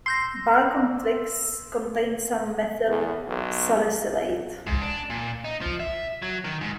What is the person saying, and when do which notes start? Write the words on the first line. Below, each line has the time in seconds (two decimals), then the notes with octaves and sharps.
Bark on twigs contains some methyl salicylate.
0.06 C6 E6 G6 A#6 C7
2.89 E2
3.27 B1
4.67 G#2
4.82 D4
5.10 A#2
5.45 D#4
5.61 F3
5.80 E5
6.22 F#3
6.44 D#3
6.61 G#2